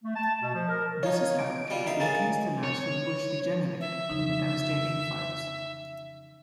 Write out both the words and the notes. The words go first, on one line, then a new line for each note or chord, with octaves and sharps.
This has helped to increase the natural bush regenerate from the devastating fires.
A3
A5
B2
F3
A#4
D#4 F4 C#5
D7
B2 G3 F4
D#4 E5 F5
G#3 A#3 C#4 A6
C#5
E5
F2 C#3 E3 D#4